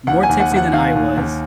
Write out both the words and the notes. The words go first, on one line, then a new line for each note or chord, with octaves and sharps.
more tipsy than I was,
D#2 F#5
G#5
D#2
F#5
D#2 F#5
D#3 F5
D#2
D#2